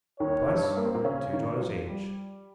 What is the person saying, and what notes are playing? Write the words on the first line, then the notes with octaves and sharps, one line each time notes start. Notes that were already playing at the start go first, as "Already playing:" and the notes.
Price, two dollars each!
D#2 D#3 C#5
G2 G3
A#3
C4
A#2 A#3
C#3 C#4
D#3 D#4
F3 F4
G3